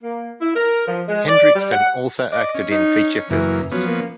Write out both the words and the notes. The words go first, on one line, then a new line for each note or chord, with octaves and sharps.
Hendrickson also acted in feature films.
A#3
E4
A#4
F3
G#3
D5
G3
F#5
D5 D#5
C#4
D#4
F#2 C#3 E3 A#3
F3 F#3 B3 C#4
A#3